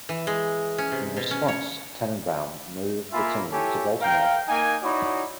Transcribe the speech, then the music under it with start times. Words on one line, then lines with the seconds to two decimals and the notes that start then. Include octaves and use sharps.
In response, Tanenbaum moved the team to Baltimore.
0.09 E3
0.27 G#3
0.78 C#4
0.92 C3
1.17 B2
1.31 C#4
1.48 C#5
3.13 A#3 F4 E5 G#5 B5
3.52 E4 G4 A4 C#5 G#5
4.01 A#4 F5 G5
4.48 A#3 D#4 A#4 G#5
4.83 D#4 E4 F#4 C#5 D5 B5